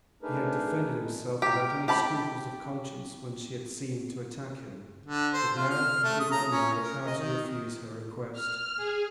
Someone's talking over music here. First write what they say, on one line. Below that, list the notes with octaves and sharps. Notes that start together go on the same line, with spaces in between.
He had defended himself without any scruples of conscience when she had seemed to attack him, but now he did not know how to refuse her request.
A3 D4 D#4 G#4 A#4 B4
G4 A#4
G4 A5 B5
D3
C5
F4
F6
A3
D#6
A#5
C#4
A#4
D#5
D#3
F6
G#4